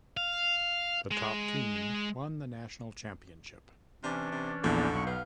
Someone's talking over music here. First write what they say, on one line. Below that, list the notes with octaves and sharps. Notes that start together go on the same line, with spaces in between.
The top team won the national championship.
F5
G#3
C3 E3 C#4 D4
C3
A#1 E2 D3 G6
B1 C#6
B3 F5